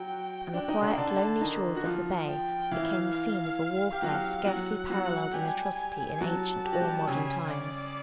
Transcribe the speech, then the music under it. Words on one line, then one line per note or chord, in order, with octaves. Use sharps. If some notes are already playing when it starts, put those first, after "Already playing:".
And the quiet, lonely shores of the bay became the scene of a warfare scarcely paralleled in atrocity in ancient or modern times.
Already playing: F#3 F#4 G5
D4
D#4
D3 D4
D3 D4 A5
D#3 D#4
F#4
F3 F4
G5
E3 E4 F5
G4
F#3 F#4
F#3 F#4 F#5
F#3 F#4 F#5
G3 G4 G#5
F#3 F#4 A5
G4
F#4
G3 G4
C#3 C#4 G#5
D5